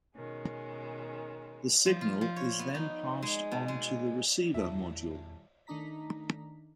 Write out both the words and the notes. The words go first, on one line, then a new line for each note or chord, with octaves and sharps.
The signal is then passed on to the receiver module.
B2 D#3 G#3 C#4
F3
F4
F3
C#5
B3
D#4
G#3
B2
G#3
D#1 E2 E4 E5 A5
D#3 A3 D4 D#4 A#5 B6